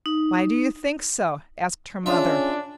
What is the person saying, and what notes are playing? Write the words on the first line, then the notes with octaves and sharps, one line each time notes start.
"Why do you think so?" asked her mother.
D#4
C#3 C#4 D4 F4 E5